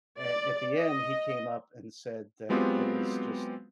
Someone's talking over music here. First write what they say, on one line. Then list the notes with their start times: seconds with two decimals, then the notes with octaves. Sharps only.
At at the end, he came up and said that it was just
0.19 D5
0.81 D#5
2.49 F#3 G#3 B3 C4 F4 G4